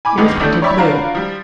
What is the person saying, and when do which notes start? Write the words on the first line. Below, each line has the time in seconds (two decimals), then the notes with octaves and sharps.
It is painted blue.
0.05 G#5 B5 D6
0.17 C#2 G2 D#3 G#3 B3
0.40 A1 A3 D4 G6
0.62 C#5 D5 E5 G5 B5 C#6
0.77 D4 F4 F#4 A#4 B5
1.15 F3 G3